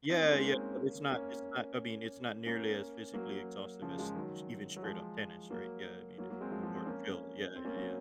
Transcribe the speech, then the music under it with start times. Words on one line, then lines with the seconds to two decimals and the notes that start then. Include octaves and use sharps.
Yeah, yeah, but it's not it's not, I mean, it's not nearly as physically exhaustive as s even straight-up tennis, right? Yeah, I mean, it's it's more chill. Yeah, y y yeah.
0.10 C4 D#4
0.21 A#3 C#4
0.32 G#3 C4
0.43 A#3 C#4
1.11 A#3 C#4
2.46 A#3 C#4
3.14 F#3 A#3
3.82 C#3 F3
3.98 F3 G#3
4.16 D#3 F#3
4.76 F#3
4.83 F3 G#3
5.50 F#3 A#3
6.18 F#3 A#3
6.30 F#3 A#3
6.41 G#3 C4
6.52 F3 G#3
6.63 F3 G#3
6.75 G#3 C4
6.86 A#3 C#4
7.56 C4
7.65 A#3 C#4
7.76 F#3 A#3